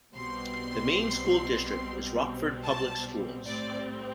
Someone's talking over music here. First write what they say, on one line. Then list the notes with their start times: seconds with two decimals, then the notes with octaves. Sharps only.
The main school district is Rockford Public Schools.
0.15 B1 B2 G3 C4 C6
2.64 A5
3.46 A2 G3 C4 D5